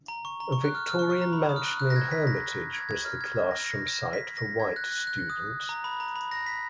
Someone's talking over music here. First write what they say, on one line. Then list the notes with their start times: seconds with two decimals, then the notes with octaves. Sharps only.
A Victorian mansion in Hermitage was the classroom site for white students.
0.08 A#5
0.25 C#6
0.40 A#5
0.52 C#6
0.64 F#6
0.75 F6
0.87 F6
0.99 C#6
1.10 C#6
1.22 A#5
1.33 B5
1.49 D#6
1.56 F6
1.64 F#6
1.80 F#6
1.90 A#6
1.96 G#6
2.11 B6
2.27 A#6
2.74 G#6
2.89 G#6
3.05 F6
3.21 G#6
3.51 A#6
3.66 A#6
4.13 B6
4.37 A#6
4.60 G#6
4.76 F#6
4.91 F#6
5.07 F#6
5.30 D#6
5.69 A#5
5.84 B5
6.00 A#5
6.16 B5
6.31 A#6
6.46 B6